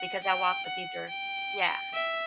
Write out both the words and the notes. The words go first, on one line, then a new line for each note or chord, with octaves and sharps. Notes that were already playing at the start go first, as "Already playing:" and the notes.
because I walk with either Yeah,
Already playing: F#5
G5
F#5
G5
E5